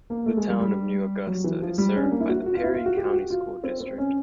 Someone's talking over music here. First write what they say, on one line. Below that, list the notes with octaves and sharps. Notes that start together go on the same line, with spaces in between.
The Town of New Augusta is served by the Perry County School District.
A#3
A3
G#3
G3
G3
F#3
E3
F3
G3
C#4
D4
A#3
E4
F#4
F#4
F4
E4
F4
F#4
G4
F#4
F4
C4
C4
C#4